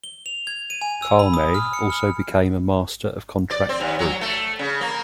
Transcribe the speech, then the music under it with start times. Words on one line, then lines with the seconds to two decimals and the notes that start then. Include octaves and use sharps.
Kalme also became a master of contract bridge.
0.04 G7
0.26 F7
0.47 G#6
0.70 D#7
0.81 G#5
1.02 E6
1.19 B5
1.34 D#6
1.54 F6
1.73 C#7
1.90 F6
3.51 D5
3.69 C4
3.81 D#2
3.99 F#3
4.21 A3
4.59 C#3
4.81 A#3